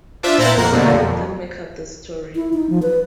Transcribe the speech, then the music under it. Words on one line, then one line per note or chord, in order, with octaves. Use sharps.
Stories about them make up the story.
D4 F4 C5 E5
A#2 E4 C5 A#5 F#6 A6
F2 A#3 A#4 F#5 C7
B2 D3 F3 F#3 A3 A#3
F2
E4
D#4
F3
B4